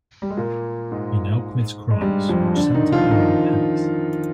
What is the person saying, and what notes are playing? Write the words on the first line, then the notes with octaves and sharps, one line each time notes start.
He now commits crimes which center around pennies.
G3
G#3
A#2 A#3
G#2 G#3
G#3
G2 G3
F2 F3
D3 D4
D#3 D#4
F3 F4
D#3 D#4